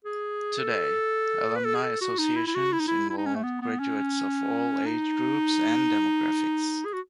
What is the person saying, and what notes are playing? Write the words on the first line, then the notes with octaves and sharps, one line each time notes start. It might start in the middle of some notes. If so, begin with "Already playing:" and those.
Today, alumni associations involve graduates of all age groups and demographics.
G#4
A4
B4
A4
G#4
A4
F#4
D#4
E4
E4
F#4
E4
D#4
E4
E4
D#4
C#4
A3
B3
B3
C#4
D#4
G#4
F#4